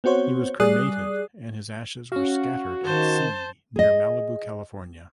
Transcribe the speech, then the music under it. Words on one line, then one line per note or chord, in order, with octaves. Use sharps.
He was cremated and his ashes were "scattered" at sea near Malibu, California.
B3 C4 F#4 C5 C#5
G3 G#4 D5 D#6 F#6 C7
C#4 F#4 F5
D#3 C5 A5
G#4 D#5